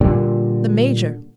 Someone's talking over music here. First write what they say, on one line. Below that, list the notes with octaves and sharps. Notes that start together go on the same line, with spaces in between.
"The major."
A#2 D3 G3